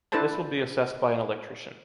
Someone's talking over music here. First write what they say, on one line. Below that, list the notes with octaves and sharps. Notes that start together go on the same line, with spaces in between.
This will be assessed by an electrician.
D4 E4 A4 B4 C5 A5